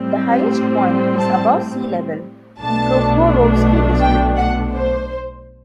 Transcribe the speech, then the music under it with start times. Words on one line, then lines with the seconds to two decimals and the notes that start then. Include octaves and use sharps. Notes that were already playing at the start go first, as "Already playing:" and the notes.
The highest point is above sea level, in Prokhorovsky District.
Already playing: A2 G3 C4
1.18 A5
2.59 B1 B2 A3 D4 A5
4.01 G5
4.36 F#5
4.72 C5